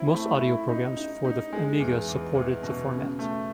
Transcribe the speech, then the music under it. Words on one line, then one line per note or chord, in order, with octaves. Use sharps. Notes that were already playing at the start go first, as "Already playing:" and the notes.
Most audio programs for the Amiga supported the format.
Already playing: C4 E4
A3
E4
D#4
D#4
D#4
G#3
E2
E2
E2
B2
C#3
A3